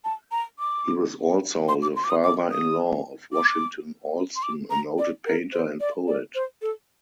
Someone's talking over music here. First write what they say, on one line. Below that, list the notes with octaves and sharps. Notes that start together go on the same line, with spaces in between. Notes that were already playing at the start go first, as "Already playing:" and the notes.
He was also the father-in-law of Washington Allston, a noted painter and poet.
A5
A#5
D6
C6
D6
C6
D6
D#6
D6
D#6
D6
C6
D6
A#5
D5
A#4
C5
D5
D5
C5
A4